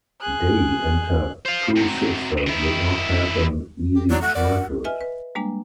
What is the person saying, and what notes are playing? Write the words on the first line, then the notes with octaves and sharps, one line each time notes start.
Day and her two sisters did not have an easy childhood.
G#4 F#6
C5 F5
C3 F#3
D#3 E4
G4
F#3 D5 A#5
A3 F#5 F#6
A#4 D5 F#5
B4 D#5 E5 G#5 F6
B4
G3 G#3 A#3 D4